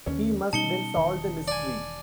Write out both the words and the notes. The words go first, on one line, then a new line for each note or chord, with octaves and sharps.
He must then solve the mystery.
D#2 D3 E3 C#4
B2 G3 C#4 D#4 A5 C#7 G7
E1 D#3
D5 G#5